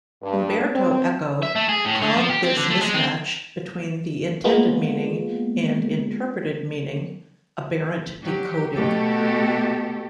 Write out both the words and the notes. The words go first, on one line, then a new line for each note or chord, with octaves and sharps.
Umberto Eco called this mismatch between the intended meaning and interpreted meaning aberrant decoding.
G2
C4
E5
A3
G#4
A2
D3
F3
G4
C4
D3
A3
G#3
C4
G#3 A#3 B3 F4
F#3 G4
B2 A3 G4 A4